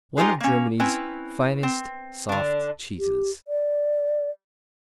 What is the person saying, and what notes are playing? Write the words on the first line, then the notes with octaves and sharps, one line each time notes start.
One of Germany's finest soft cheeses.
D#4 F4 G4 G#4 B4
A#3 C#4
C4 C#4 E4 B4
C4
D3 D4
G4
D5